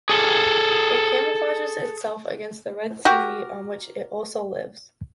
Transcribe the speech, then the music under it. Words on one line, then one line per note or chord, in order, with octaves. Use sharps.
It camouflages itself against the red seaweed on which it also lives.
G#4 A4
F#4 G4 A#4